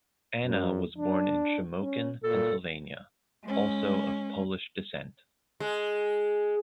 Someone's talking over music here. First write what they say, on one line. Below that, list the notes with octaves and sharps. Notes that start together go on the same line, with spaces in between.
Anna was born in Shamokin, Pennsylvania, also of Polish descent.
F#2
D4
C#4
A#2 A4
G#3 C#4
G#3